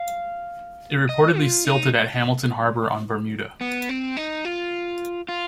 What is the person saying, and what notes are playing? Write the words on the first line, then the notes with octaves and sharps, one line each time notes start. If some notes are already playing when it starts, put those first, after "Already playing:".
It reportedly silted at Hamilton Harbor on Bermuda.
Already playing: F5
D#5
F4
D#4
B3
C4
D#4
F4
F4